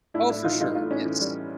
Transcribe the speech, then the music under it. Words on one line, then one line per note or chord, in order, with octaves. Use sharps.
Oh, for sure, yes.
A2 D4 E4
A2 D4 E4
E3 D#4 F4
G3 D#4 F4
A2 D#4 F4
A2 C#4 D#4
E3
G3